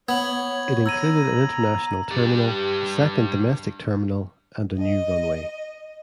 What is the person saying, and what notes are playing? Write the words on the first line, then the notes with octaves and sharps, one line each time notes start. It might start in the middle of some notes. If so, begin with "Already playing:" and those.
It included an International Terminal, a second Domestic Terminal, and a new runway.
B3 C#5 G#6 F#7
A#5 E6 G#6 D#7
G2 G4 D5
D#5